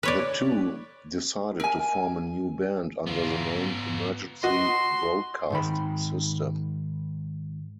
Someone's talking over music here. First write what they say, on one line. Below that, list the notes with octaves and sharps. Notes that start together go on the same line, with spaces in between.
The two decided to form a new band under the name Emergency Broadcast System.
B4 C#5 D5
A#4 G#5
B3 F4
F#4 D#5 C6
G#2 D#3 B5